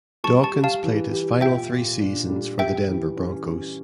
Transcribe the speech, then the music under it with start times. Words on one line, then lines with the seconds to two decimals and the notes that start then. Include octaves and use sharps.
Dawkins played his final three seasons for the Denver Broncos.
0.24 G3 A5 C#6
0.43 A5 C#6
0.53 G4
0.64 F5 A5
0.84 E3
1.12 G4
1.41 A#2 E5 G5
1.70 A#2
2.01 D4
2.30 G3
2.58 G4 E5 G5
2.89 E3
3.17 C#4
3.46 C#4